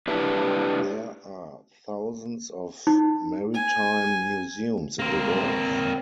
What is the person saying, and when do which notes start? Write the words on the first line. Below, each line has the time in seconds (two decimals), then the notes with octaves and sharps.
There are thousands of maritime museums in the world.
0.08 D4 E4 G4 B4 E5
2.87 D#4
3.54 G#5
4.99 A#3 C4